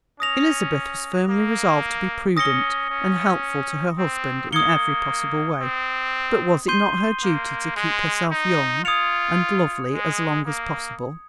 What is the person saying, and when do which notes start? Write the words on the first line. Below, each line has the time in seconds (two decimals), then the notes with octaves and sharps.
Elizabeth was firmly resolved to be prudent and helpful to her husband in every possible way; but was it not her duty to keep herself young and lovely as long as possible?
0.20 C#4 D#6 A#6 F7
1.29 A#3
2.37 C#4 D#6 A#6 C#7 G7
2.90 C#4
3.99 C4
4.52 A#3 D#6 G#6 C#7 G7
5.61 C4
6.68 C6 G6 C7 D#7 G7
7.23 A#3
7.76 G#3
8.31 D#4
8.84 F4 D#6 G#6 C#7 F7
9.92 G#3
10.46 A#3